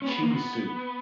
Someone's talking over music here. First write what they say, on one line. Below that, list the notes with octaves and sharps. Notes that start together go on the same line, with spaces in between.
cheese soup."
C#4
B3
A#3
B3